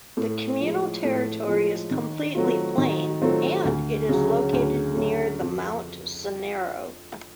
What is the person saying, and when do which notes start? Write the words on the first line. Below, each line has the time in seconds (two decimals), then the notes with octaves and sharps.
The communal territory is completely plain, and it is located near the Mount Conero.
0.17 A2
0.61 F3 G#3
1.05 A2
1.47 F3 G#3
1.91 D#3
2.35 F#3 A3 C4 F4
2.78 D#3
3.21 F#3 A3 C4 F4
3.65 D2
4.09 C#3 F#3
4.53 D2
4.97 C#3 F#3
5.41 F2